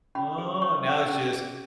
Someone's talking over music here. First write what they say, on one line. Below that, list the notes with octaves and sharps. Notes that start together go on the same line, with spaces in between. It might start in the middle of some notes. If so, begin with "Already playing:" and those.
Oh, and now it's just
C#4 B5
G#4
C#5 C#6
C#4
C#4
G#4